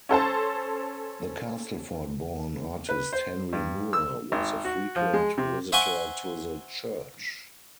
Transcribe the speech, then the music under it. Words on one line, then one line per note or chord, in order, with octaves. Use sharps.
The Castleford-born artist Henry Moore was a frequent visitor to the church.
C#4 A4 C5 A5
B4
C5
G2
E6
G#1
F#4
F3
G#3
C3
C5 E5 F#5 G#5 C6 C#6